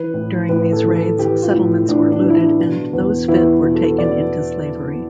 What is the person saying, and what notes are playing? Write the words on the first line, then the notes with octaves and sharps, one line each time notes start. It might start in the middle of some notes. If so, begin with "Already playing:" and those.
During these raids, settlements were looted and those fit were taken into slavery.
Already playing: E3 B4
A2
A2 B4
A4
E3
A4
E3 G4
F4
A2
A2 D4
D4
E3
E4
D4
B2
E2
E2 E4
B2
A4
B2 D5